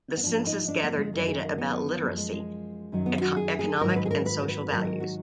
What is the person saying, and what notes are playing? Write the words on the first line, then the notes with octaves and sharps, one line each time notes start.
The census gathered data about literacy, economic and social values.
B3
G#2 F3 D4
D#4
D4
A#3
G#3
F#2 D#3 F#3 A#3
G#4
A#4
B3
F#2 F3 A#3
G#3
G#3
F#2 D#3 F#3
B3
F#4
G#4
G#4
G#2 D#3 F#3 A#4
B4
G#4
A#4
B4
A#4
B4
G#2 D#3 F#3 A#4
A#4
F#4